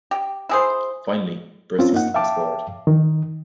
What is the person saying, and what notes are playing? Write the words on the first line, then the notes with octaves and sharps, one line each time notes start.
Finally, brisques are scored.
G4
E4 G#4 C5
C4 C#4 F4
A#3 D#4 F#5
E5 F5 G5 A5 D6
D#3